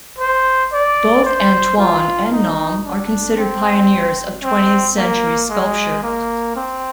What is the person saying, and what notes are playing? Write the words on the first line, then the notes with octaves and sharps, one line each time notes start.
Both Antoine and Naum are considered pioneers of twentieth-century sculpture.
C5
D5
C5
F4
D#4
D4
C4
C4
A#3
G#3
A#3
C4